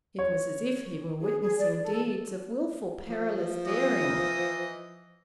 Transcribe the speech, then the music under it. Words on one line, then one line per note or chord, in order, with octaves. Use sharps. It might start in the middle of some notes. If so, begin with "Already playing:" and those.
It was as if he were witnessing deeds of wilful perilous daring.
C#5
G#4
G#4
D5
A4
F3
E3 D#5 D#6